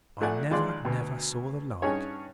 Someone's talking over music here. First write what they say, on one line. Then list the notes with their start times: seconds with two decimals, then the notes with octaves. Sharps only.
'I never, never saw the like.
0.21 A#1 A3 D5 F#5 G#5
0.51 A#1 D#2 G#3 F4 D5 C6
0.85 D2 B2
1.82 G2 C#4 D#4 G#4 C#5